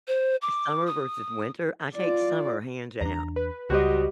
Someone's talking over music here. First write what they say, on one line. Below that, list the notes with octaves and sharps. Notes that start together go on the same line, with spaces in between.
Summer versus winter, I take summer hands down,
C5
D6
D#6
F4 D5
E2 D4 A#5
B4
C#2 G3 F#4 C5 D#5